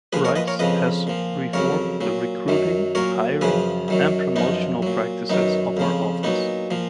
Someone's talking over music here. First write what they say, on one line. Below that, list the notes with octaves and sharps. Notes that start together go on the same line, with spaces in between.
Rice has reformed the recruiting, hiring and promotional practices of her office.
A#2 F3 G#4 B4
A#4 C#5
B4 D#5
A#4 C#5
F2 C#3 F3 B4 D#5
A#2 F3
F2 C#3 F#3 A#4 C#5
A#2 F#3
F#2 D#3 F#3
A#2 F#3 A#4 C#5
F#2 C#3 F3 G#4 B4
F#2 D#3 F#3
F#2 F3 B3 D#4
A#2 F#3
F#2 D#3 F#3 B3 D#4
F2 C#3 F3
A#2 F#3 B3 D#4
A#2 F3